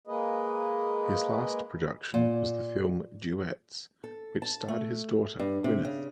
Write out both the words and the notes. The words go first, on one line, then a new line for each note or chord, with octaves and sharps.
His last production was the film "Duets", which starred his daughter, Gwyneth.
G#3 A#3 G#4 B4 D#5
A#2
A4
A5
A3
G2
C3
C#3